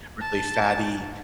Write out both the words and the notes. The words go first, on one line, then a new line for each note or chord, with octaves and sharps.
really fatty,
A5